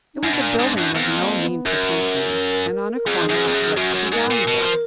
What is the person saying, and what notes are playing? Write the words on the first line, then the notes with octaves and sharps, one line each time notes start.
It was a building of no mean pretentions and on a corner which looked to be valuable.
D#4
F#2 D4
B2
A#2
G#2
F#2
F2 B3
A#3
B3
F#2 A#4
A#4
F2 G#4
F#2
F2
F#2
F#2 F#4
F2
F#2
G#2 A#4
A#2
B2
F3